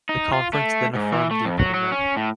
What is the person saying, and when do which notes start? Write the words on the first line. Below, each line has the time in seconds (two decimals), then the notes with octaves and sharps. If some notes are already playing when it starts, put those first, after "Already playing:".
The conference then affirmed the appointment.
0.09 D#4
0.33 F4
0.53 A3
0.95 G#2
1.12 E3
1.31 A3
1.45 F2
1.59 F#3
1.74 F#3
1.92 C#4
2.17 A2